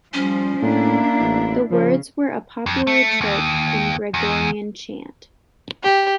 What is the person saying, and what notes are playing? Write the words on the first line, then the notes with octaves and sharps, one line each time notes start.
The words were a popular trope in Gregorian chant.
F3 G3 C#4
A2 A#3 D4 E4
A1
C#3 F3
F2
A3
D#2
E2
G4